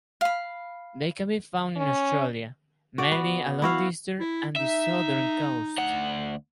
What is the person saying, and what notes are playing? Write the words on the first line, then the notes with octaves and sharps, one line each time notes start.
They can be found in Australia, mainly along the eastern and southern coasts.
F5 B5
C#4
F#4 D5 F#5
B3
E4 F#4 F5
E4
D#4 E5
D2 F#5